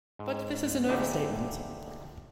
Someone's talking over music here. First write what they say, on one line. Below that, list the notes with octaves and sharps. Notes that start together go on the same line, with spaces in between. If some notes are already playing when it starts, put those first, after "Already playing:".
But this is an overstatement.
G#2
D3 F3 D#4 E4 G4 G#4